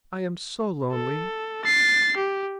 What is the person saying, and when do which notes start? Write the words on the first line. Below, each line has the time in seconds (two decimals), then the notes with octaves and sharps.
I am so lonely.
0.92 A4
1.64 A6 C7
2.17 G4